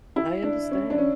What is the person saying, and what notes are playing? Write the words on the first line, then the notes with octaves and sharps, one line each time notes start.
I understand.
E4
D4
C#4
D4
C#4